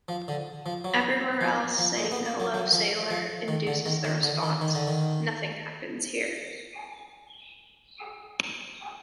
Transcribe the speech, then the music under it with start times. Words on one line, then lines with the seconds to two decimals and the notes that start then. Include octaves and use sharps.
Everywhere else, saying hello sailor induces the response, Nothing happens here.
0.08 F3
0.28 D3
0.66 F3
0.84 F#3
1.41 F3
1.79 F3
1.97 G#3
2.12 B3
2.25 A#3
2.40 F#3
2.54 F#3
2.72 F3
3.10 F3
3.48 D#3
3.67 D3
3.86 D#3
4.05 D#3
4.23 D3
4.43 D#3
4.61 D#3
4.75 D3
4.87 D#3